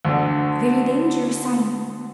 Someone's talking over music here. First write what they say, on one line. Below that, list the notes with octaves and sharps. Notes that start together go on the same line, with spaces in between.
'A very dangerous sign!
D2 D3